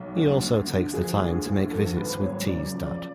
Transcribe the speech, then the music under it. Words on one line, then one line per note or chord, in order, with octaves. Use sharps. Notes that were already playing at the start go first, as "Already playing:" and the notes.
He also takes the time to make visits with T's dad.
Already playing: B1
D2
D2
D3
F3 G#4
D2
D2
F3 A4
G#1 B4
F#2 C#5
C#3 D5
F3
D5